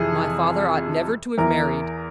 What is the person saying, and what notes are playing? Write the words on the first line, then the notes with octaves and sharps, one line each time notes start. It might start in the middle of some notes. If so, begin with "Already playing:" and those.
My father ought never to have married.
Already playing: F2 C3 E3 G#4
E2 E3 A#4